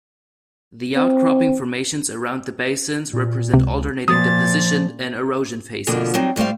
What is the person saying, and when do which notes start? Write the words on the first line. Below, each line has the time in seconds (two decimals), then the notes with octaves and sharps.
The outcropping formations around the basins represent alternating deposition and erosion phases.
0.95 C4
3.13 A#2
3.54 C#2 C3
4.08 A#2 F3 D#6 A6
5.87 F2 B2 D3 F3 A#3
6.14 F#3 G3 C4 D#4
6.36 A2 G3 A3 C5 F5